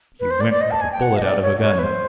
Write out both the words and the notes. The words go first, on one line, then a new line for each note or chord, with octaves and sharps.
He went like a bullet out of a gun.
B4
C5
D5
D5
D#5
A5
G#5
G5
F#5
D#5
D5
C#5
C#5
B4
C5